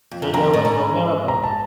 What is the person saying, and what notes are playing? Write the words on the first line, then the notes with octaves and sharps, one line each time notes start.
So there was no miracle?
F2
F#2
F2 A#5
A2
G#2
A#5
A5